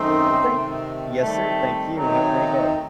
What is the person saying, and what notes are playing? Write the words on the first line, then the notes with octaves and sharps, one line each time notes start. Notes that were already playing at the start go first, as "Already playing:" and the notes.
Well, thank you. Yes, sir. Thank you. Have a great day.
Already playing: F#2 D#3 A3 C4 D#4
C3 D#3 A3
D#3 G3 A3 C4
D#3 F#3 A3 C4 D#4